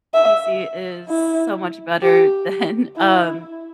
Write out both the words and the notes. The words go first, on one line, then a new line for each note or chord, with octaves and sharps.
PC is so much better than um,
E5
E4
G4
E4